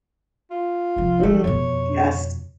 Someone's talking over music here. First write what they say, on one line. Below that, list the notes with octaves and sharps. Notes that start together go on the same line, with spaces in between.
Mm. Yes.
F4
C2 F3
D#3 F3 A3
F2 B2 C#5